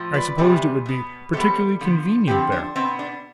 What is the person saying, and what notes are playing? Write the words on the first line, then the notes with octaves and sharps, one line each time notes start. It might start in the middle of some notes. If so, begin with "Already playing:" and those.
I supposed it would be particularly convenient there.
Already playing: A2 F3
B4 D5
C3 E3 G3 B3
B2 B3
E3 G3 B3 A4 C5
D3 F3 B3
D3 F3 C4 G4 B4
D4
B2 B3 C4
D4